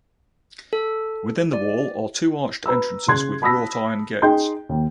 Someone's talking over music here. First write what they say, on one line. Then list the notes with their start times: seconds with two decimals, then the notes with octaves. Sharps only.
Within the wall are two arched entrances with wrought iron gates.
0.73 A4
1.53 D5
2.66 B4 A#5 E6
3.08 C#3 C6 F#6 G#6
3.42 A5 B5 D#6 E6 A#6 B6
4.22 D#4 G#4 G5 C6 G6
4.69 D#2